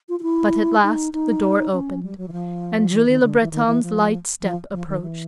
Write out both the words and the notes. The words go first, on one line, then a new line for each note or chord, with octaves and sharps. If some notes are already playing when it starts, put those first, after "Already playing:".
But at last the door opened and Julie Le Breton's light step approached.
F4
F4
E4
D#4
D#4
C#4
G3
F#3
E3
F3
E3
D#3
D3
E3
D#3
E3
F3
F3
F3
D#3
E3